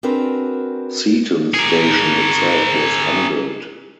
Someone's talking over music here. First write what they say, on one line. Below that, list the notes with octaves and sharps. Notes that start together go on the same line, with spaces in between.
Seaton station itself was unbuilt.
C4 D4 F#4 G#4 A#4 B4
G#4 A#4